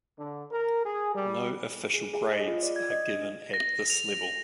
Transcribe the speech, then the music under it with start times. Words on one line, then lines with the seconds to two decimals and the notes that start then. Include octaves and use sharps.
No official grades are given at this level.
0.17 D3
0.51 A#4
0.85 G#4
1.14 G3
1.93 G#4
2.14 G#4
2.34 D#5
2.47 F4
2.63 D5
2.76 G#6
2.91 D#5
3.14 D4
3.54 A#6
3.90 F7